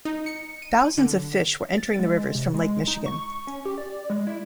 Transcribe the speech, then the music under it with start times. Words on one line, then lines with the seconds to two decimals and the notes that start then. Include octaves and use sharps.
Thousands of fish were entering the rivers from Lake Michigan.
0.05 D#4
0.26 C#7
0.62 D#7
0.98 D3
1.78 A6
1.99 G#3
2.35 C3
2.54 G#3
2.88 D#4
3.06 C#6
3.47 C#4
3.65 G4
3.78 D5
4.10 G#3
4.27 E4